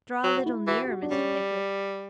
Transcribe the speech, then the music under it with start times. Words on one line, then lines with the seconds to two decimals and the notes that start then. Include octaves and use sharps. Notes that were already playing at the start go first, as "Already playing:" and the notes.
Draw a little nearer, Mr. Pickwick.
0.24 F#3
0.37 F#4
0.46 E4
0.67 E3 F#4
0.85 G4
0.89 F#4
1.02 D4
1.11 G3 C#4